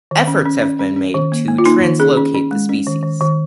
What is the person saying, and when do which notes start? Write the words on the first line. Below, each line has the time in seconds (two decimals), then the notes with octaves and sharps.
Efforts have been made to translocate the species.
0.11 D#3
0.27 C#4
0.45 C#4
0.62 C#4
0.79 C#4
0.96 C#4
1.14 D#3
1.32 A#3
1.48 A#3
1.58 F4
1.66 A#3 D#4
1.83 D#3
2.00 C#4 G#4
2.17 C#4
2.35 C#4
2.51 G#3
2.69 C#4
2.87 D#3
3.03 D#3
3.21 D#3